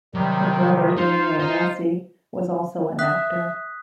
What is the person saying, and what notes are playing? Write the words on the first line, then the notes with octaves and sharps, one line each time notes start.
Her brother Daniel Massey was also an actor.
C3 D#3 F#3 G3
D#4 F4 C5
D#5 A#5
E5 D#6 F#6 B6